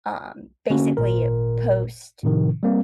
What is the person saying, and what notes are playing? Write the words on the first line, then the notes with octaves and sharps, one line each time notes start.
uh, basically post,
D3 A#3 C#4 F#4
G#1 A#2 A#4
A2 C3 D#3 F3
G3 A#3 C4